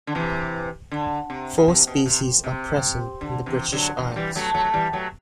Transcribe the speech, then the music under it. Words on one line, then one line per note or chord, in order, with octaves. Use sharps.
Four species are present in the British Isles.
D3
C3 E3
D3
C3
B2
C3
B2
C3
C3
D3
C3 E3
D3 F#3
C3 E3
A3
E3 G3
F#3 A3
F#3 A3
A3
E3 G3
F#3 A3